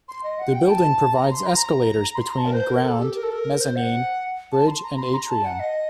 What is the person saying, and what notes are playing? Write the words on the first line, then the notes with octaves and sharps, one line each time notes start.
The building provides escalators between Ground, Mezzanine, Bridge, and Atrium.
C6
D#5
F#5
G5
A5
A#5
C6
A#5
A#5
C6
A#5
A5
A#4
C5
A#4
A4
G4
A#4
A4
A#4
C5
F#5
A5
C6
A#5
C6
A#5
A5
F#5
D#5